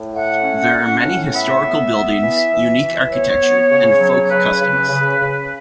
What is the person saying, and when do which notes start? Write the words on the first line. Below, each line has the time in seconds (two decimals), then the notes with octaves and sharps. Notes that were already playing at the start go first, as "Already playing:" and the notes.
There are many historical buildings, unique architecture and folk customs.
Already playing: A2
0.15 A3 F#5
0.43 C#4
0.73 C#4
1.03 A2
1.33 B3 E5
1.63 B3
1.92 B3
2.22 E3
2.52 E3
2.81 E3
3.10 B3 C#5
3.40 B3
3.70 C#3
4.00 F#3
4.29 C#3 B4
4.59 C#3
4.88 C#3
5.18 C#3